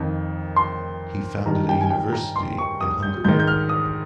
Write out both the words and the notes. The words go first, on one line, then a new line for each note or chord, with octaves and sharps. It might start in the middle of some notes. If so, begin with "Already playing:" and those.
He founded a university in Hungary.
Already playing: F2 D#3
C6
G2 D#3 A#5
G5
G#5
G5
A#5
C6
C#6
D#6
G6
G#2 D#3 G6
G6
F6
D#6